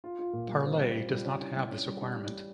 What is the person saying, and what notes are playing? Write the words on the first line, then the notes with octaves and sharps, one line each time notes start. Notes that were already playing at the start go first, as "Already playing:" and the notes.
Parlay does not have this requirement.
F4
F4
A#2
G3
C4
G3
F4
G3
C#4
E4
G3
C#4
G3
G3